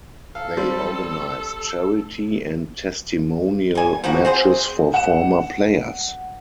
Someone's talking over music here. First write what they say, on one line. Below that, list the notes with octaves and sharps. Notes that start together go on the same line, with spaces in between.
They organise charity and testimonial matches for former players.
A4 F5
G3 C4
G3 G#5
F3 G3 A#3 F#4
C4 G#4 C5
F#5 E7